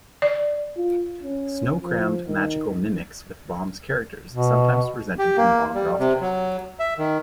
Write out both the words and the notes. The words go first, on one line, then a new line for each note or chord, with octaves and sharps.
Snow crammed "Magical Mimics" with Baum's characters, sometimes presented in long rosters.
D5
F4
C#4
F3
D#3
B2
G4
A#3
G3
C3
F#3
E5
D#3